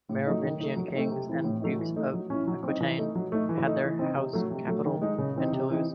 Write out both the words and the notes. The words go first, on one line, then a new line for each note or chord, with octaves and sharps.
The Merovingian kings and dukes of Aquitaine had their capital at Toulouse.
A2
F#3 A3 D#4
D#3
A3 D#4
F#3
A3 C4 D#4
C3
E3 C4 E4
A2
F#3 A3 D#4
E3
A3 D#4
F#3
C#4 E4
F#3
C4 D#4
E3
A3 D#4
F#3
A3 D#4
E3
A3 D#4
E3
C4 D#4
C3
F#3 A3
C3
F#3 A3
D#3
G#3 D#4
C#3
E3 C4 D#4
C3
E3 C4 D#4